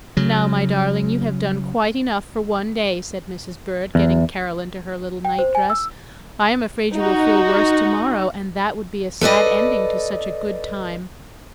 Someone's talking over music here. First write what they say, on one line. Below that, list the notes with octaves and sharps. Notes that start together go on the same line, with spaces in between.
"Now, my darling, you have done quite enough for one day," said Mrs. Bird, getting Carol into her little night-dress; "I am afraid you will feel worse to-morrow, and that would be a sad ending to such a good time."
C#3 F#3
E2
G5
C5
G#5
E6
D#4 F#4
A4 B4 D5 D#5